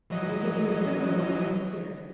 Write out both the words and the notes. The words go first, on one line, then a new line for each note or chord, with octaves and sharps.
"He will give you a similar one for Monsieur."
E3 F#3 D#5